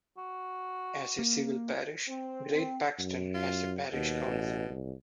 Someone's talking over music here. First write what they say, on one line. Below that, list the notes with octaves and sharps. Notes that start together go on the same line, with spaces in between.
As a civil parish, Great Paxton has a parish council.
F#4
A#3
C4
C4
F#2
F4
D#2 B2
A1
C2